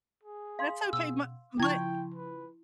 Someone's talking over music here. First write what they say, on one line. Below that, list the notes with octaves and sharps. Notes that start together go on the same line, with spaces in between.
That's okay. My my m
G#4
F5 C6
B2 E6
C#3 F3 E4 G5 C#6 G#6
B4